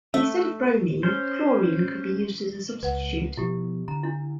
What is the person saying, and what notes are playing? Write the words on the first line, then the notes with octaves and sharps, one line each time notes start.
Instead of bromine, chlorine could be a substituent.
A3 E5
C#4 C5
C#2 B4 F#5
B2 F3 B3 E4 G4
D3 A#5
D4 E4